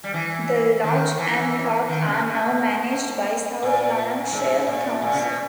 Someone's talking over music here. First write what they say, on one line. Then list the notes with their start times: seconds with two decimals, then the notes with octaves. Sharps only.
The lodge and park are now managed by South Lanarkshire Council.
0.04 G3
0.14 E3
0.84 D#3
1.19 E3
1.88 D#3
2.06 C#3
2.24 B2
3.63 A#2
4.32 G#2
4.67 A#2
5.02 A#2
5.13 C#3
5.19 B2